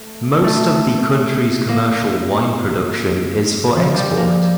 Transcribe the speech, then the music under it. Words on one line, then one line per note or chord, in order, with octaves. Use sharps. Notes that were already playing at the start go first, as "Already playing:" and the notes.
Most of the country's commercial wine production is for export.
Already playing: A3
A3
A#3
F3
G3
A#3